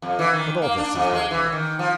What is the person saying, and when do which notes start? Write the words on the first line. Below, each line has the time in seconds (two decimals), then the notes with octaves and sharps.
But all this is by the way.
0.02 F2
0.19 E3
0.33 D#3
0.62 A#3
0.77 D4
0.95 F2
1.15 G#3
1.31 E3
1.52 D#3
1.79 F3